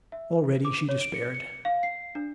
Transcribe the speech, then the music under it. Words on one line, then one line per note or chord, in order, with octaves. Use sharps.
Already she despaired.
E5
D6
C#5
D7
C#7
C#7
F5
C7
D4